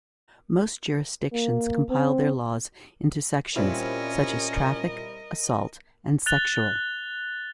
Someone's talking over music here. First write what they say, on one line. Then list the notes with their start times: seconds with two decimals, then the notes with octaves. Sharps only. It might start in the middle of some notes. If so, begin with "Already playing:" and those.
Most jurisdictions compile their laws into sections, such as traffic, assault, and sexual.
1.33 A#3
1.90 C4
3.56 A#2 G3 C4 C#4 E4 A#4 D#5
6.26 F#6 A6 F7 G7